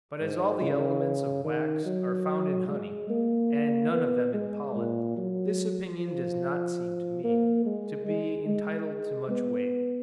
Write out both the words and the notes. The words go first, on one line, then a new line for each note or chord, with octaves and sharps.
But as all the elements of wax are found in honey, and none of them in pollen, this opinion does not seem to me, to be entitled to much weight.
G#2
C#3
D#3
F#3
G#3
A#3
B3
G#3
A#2
F#3
F3
A#3
G#3
G#3
G#3
B3